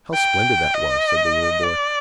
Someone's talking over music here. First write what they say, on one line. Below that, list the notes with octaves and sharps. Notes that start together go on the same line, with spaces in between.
"How splendid that was!" said the little boy.
G5
D#5
D5